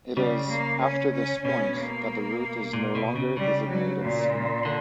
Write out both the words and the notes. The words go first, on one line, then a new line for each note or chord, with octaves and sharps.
It is after this point that the route is no longer designated scenic.
C#3 G3
A#3
C#4
C#4
B2 C#4
A#3
A#2
B2
C#3
C#3 G3
F#3
A#2
D3